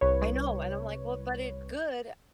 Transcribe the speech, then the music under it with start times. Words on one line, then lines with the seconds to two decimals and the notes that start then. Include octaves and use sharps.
I know, and I'm like well, but it's good.
0.01 C2 B4 C#5